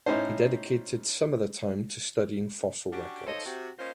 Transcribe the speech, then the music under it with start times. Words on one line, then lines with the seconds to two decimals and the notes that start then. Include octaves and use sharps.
He dedicated some of the time to studying fossil records.
0.06 A2 C#4 D#4 C5
2.92 C#4 D4 F#4 G4
3.27 F3 D#4 A4 C5 C#5 D#5
3.46 C3 F#4
3.79 A#3 C#4 D#4 F4 C5